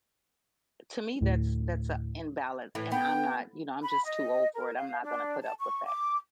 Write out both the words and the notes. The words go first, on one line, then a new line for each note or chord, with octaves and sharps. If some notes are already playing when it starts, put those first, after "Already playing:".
To me, that's that's a imbalance and I'm not, you know, I'm just too old for it, I'm not gonna put up with that.
D2 A2
A2 E3
B3 G5
B5
D#5
A#4
F5
D4
A5
C#6
D6